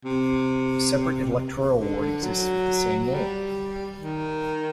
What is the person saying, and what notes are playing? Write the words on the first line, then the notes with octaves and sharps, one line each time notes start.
A separate electoral ward exists with the same name.
C3
D3
D3
F#3
G3
D#3